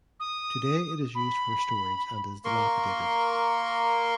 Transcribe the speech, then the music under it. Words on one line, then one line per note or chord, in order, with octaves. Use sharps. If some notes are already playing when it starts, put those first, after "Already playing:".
Today it is used for storage and is dilapidated.
D#6
B5
A#3 A#4 C6 C#6